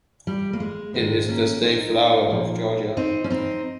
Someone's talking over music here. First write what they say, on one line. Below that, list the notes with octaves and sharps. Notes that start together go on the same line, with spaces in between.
It is the state flower of Georgia.
G3
A#3
G#3
G#2 D#3 G#3 C4
A#3 C#4
C4 D#4
A#2 F3
C4 D#4
C#4
C4 D#4